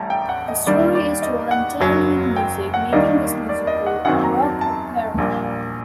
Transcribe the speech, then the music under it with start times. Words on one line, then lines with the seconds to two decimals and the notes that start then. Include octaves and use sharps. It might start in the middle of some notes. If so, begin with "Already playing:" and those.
The story is told entirely in music, making this musical a rock opera.
Already playing: A1 A2 G3 A5 A#5
0.10 G5
0.29 F#5
0.48 D#5
0.67 D#2 D#3 G3 D4 D5
0.95 D5
1.22 D#5
1.51 F#5
1.80 F#1 F#2 F#3
2.36 G5
2.74 F#5
2.92 D#2 D#3 G3 A#3 D4 D#5
3.49 D5
3.67 D#5
3.86 F#5
4.05 F#2 D#3 F#3 C4 F#5
4.24 A#5
4.42 A5
4.61 A5
5.18 A#1 A#2 G3 A#3